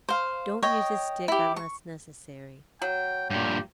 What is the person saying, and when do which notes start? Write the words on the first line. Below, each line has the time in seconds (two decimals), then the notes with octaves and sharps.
Don't use a stick unless necessary.
0.09 C5 F5
0.63 C#5 D#5 G5
1.28 E4 G4
1.56 C#6
2.82 F#3 G5
3.30 G2 A#2 G4